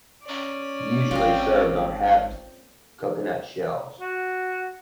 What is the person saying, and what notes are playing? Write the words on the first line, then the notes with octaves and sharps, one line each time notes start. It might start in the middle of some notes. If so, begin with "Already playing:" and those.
Usually served on halved coconut shells.
C#4 D5
G#1 C4 F4
F#4